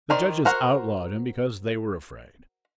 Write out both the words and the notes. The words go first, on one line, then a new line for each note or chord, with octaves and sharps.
The judges outlawed him because they were afraid.
D#3 A#4 C5 D5
F#4 A#4 C5 F#5